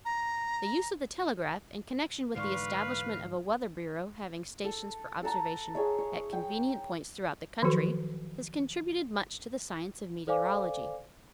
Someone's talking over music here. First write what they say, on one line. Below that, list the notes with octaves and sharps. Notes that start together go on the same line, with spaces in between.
The use of the telegraph in connection with the establishment of a weather bureau having stations for observation at convenient points throughout the country has contributed much to the science of meteorology.
A#5
G#2 D3 E3 B4 D5 F5 C6 C#6
A4
A4 F#5 A5 A#5
G#4 C#5 E5
C#5
G5
D#3 F3 F#3 F#4 A4
A4 C5 D5 F5 G#5 D6